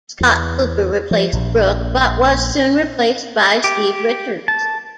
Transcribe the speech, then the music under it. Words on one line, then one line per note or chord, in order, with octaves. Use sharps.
Scott Cooper replaced Brook but was soon replaced by Steve Richards.
E2
F3
A#1
G4
A5